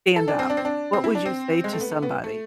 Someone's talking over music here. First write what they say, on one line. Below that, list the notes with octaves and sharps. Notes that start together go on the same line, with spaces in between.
stand up? What would you say to somebody?
A4
D4
C4
D4
C4
D4
C4
E4
D4
C4
G#3
A3
B3
A3
B3
A3